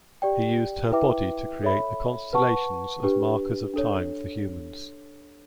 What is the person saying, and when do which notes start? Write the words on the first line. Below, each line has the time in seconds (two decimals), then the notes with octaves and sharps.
He used her body to create the constellations as markers of time for humans.
0.22 G4 D5 G5
0.92 E4 B4 E5 G5 D6
1.63 A4 C#5 E5 B5
2.33 B4 F#5 A5 C#6
3.03 D4 G4 B4
3.74 D4 A4 C#5